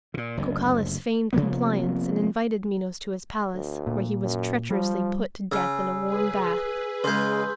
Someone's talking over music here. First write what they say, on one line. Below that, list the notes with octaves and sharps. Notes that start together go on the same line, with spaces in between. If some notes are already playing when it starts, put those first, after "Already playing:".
Cocalus feigned compliance and invited Minos to his palace, where he was treacherously put to death in a warm bath.
A#2 C#3
F#1 D2
C3 F3 A#3 B3
D2
A#2
F#2
F3 G3
C#3 G#5 E6
G#4 B4
C#3 G#3 C6 G6